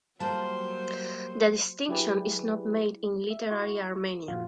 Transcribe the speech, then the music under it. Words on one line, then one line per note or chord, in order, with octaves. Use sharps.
The distinction is not made in literary Armenian.
F#3 G3 A#3 F4 A#4 C5 A5
F#3 E4 G4 G#4 B4 D5
E5
E4 F#4 C#6
F#2 A#2 F3 F4 F#4 C6